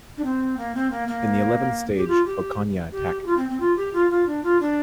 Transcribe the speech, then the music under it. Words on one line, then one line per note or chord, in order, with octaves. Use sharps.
In the eleventh stage, Ocana attacked.
D4
C4
A#3
C4
A#3
A#3
G4
F4
G4
G4
G4
F4
C4
C4
F4
G4
F4
F4
D4
F4
D4